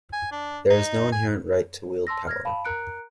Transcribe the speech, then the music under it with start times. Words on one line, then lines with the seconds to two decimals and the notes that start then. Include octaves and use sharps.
There is no inherent right to wield power.
0.13 G#5
0.32 D4
0.70 D#4
1.12 G#5
2.07 A5 C6 E6 A#6
2.27 F6 G#6 A#6
2.45 F5 A5 B5
2.65 A#4 A#5 F#6 C#7 D7